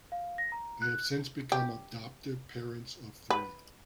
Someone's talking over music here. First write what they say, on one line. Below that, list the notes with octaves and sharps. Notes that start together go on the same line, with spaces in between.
They have since become adoptive parents of three.
F5
A#6
A#5
F#6
G4
B4